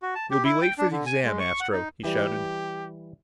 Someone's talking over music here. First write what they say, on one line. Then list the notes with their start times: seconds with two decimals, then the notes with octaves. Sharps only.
"You'll be late for the exam, Astro!" he shouted.
0.02 F#4
0.15 A5
0.30 G4
0.44 E4
0.62 G5
0.78 D4
0.91 D3
1.06 G#5
1.24 G#3
1.39 C#6
1.60 F#5
1.72 D#4
2.05 E3 G3 G4